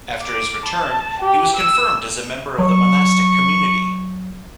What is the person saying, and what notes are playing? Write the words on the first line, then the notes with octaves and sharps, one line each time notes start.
After his return, he was confirmed as a member of the monastic community.
D6
A5
G4
E6
F#3 C#6